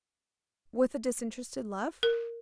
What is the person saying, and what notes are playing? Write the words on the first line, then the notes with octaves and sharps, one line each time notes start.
"With a disinterested love?"
A#4